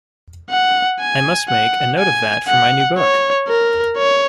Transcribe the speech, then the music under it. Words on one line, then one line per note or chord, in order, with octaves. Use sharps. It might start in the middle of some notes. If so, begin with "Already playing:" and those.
I must make a note of that for my new book.
F#5
G#5
F#5
G#5
F#5
C#5
A#4
C#5